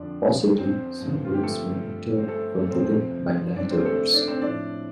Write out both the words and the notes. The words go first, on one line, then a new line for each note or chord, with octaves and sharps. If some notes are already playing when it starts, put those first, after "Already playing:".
Possibly some rooms were entered from within by ladders.
Already playing: F2 D3 F3 D4 D5
C4 C5
G2 D3 F3
F4
G4
A3 A4
C5
A3 A4
A4
F2 C3 F3 C4 C5
D4 D5
C4 C5
A3 A4
D4 D5
C4 C5
A2 F3 D4 D5